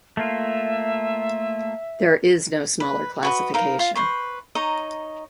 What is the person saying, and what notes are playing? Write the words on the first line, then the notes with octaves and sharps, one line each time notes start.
There is no smaller classification.
A3 A#3 F4 E5
B4
F#4 B4 D#5
D#4 A#4 F5
F4
B4 C5 C#6
D#4 C#5 D#5 A#5